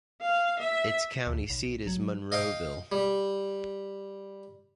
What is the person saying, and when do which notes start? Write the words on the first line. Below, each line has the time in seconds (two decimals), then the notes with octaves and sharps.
Its county seat is Monroeville.
0.22 F5
0.59 E5
1.27 D2
1.50 B1
1.87 F#3
2.32 D#5 F5 G5
2.92 G3